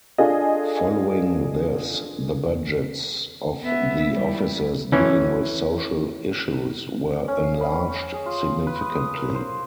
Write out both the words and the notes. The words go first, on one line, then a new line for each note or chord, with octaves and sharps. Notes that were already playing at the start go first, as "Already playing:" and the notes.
Following this, the budgets of the offices dealing with social issues were enlarged significantly.
D4 F4 G#4 A4 D#5
B3 E5
G3 E4
E3 C#4
C#4
F5
B5
C#5
G#4
F4
B4
D#6
D#6
A#4
C5